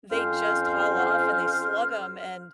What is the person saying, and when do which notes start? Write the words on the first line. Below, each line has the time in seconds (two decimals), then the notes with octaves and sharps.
they just haul off and they slug 'em, and
0.11 F2 C#4 C5 F5 F6